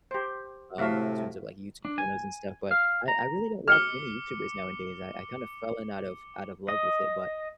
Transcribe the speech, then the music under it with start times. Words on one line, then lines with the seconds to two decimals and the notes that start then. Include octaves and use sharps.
um, in terms of, like, YouTube channels and stuff, but I I really don't watch many YouTubers nowadays. I I kind of fell in out of out of love with it, but,
0.11 G4 C5
0.78 A2 C3 F#4 E5 F5
1.85 D4
1.98 G#5
2.71 F5
3.08 A#5
3.68 D6 F6 C#7 G7
6.68 D#5